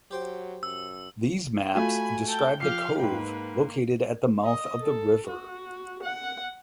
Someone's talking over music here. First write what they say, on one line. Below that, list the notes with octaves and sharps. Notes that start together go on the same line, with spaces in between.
These maps describe the cove located at the mouth of the river.
F#3 G4 C5 G5
F#2 E6
A3 F4 F#4 G#5 B5
A4 G5
F3 G4 F5 C7
G#2 A#3 B4 G5
D#5
A4
F#4
F#5